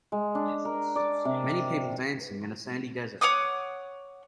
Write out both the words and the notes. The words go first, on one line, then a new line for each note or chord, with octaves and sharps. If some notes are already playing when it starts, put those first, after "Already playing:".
Many people dancing in a sandy desert.
G#3
D4
A#4
D5
C3
C#5 F#5 D6 D#6